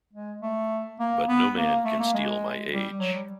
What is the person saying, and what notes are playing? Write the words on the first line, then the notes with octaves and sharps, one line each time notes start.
But no man can steal my age.
G#3
A3
A#3
B3
A#3
A3
A#3
G#3
G3
F#3
G3